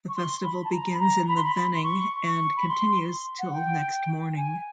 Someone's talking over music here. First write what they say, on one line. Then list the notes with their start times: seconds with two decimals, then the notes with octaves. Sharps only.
The festival begins in the vening and continues till next morning.
0.09 C#6
0.15 C6
0.43 B5
0.64 A5
0.72 A#5
0.94 B5
1.00 A#5
1.28 B5
1.36 C6
1.44 B5
1.56 B5
1.73 C6
1.84 C#6
2.25 C#6
2.57 B5
2.69 C6
3.39 F#5
3.53 G5
4.32 G5
4.37 G#5